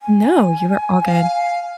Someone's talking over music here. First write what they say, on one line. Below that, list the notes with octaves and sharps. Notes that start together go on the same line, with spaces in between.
No, you were all good.
G#5
F5